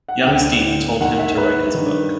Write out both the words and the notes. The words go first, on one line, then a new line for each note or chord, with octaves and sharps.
Youngstein told him to write his book.
F#5
D2 D3 G5
D#2 D#3 F#5
E5
B4
G2 D#3